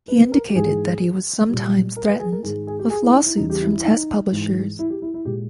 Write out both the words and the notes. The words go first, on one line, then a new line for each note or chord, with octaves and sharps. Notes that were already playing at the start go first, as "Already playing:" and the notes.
He indicated that he was sometimes threatened with lawsuits from test publishers.
B4
B4
A#4
G4
G#2 E3 G#3 G#4
A#2 G3
A#4
B4
G#4
A#4
G#2 D#3 G#3 G#4
G#4
G4
G#4
E4
D#4
E4
E2 C#3 E3 G3 D#4
G4
E4
E4
D#4
G#2 E3 G#3
E4
G4
E4
E4
A#2 G#3 G4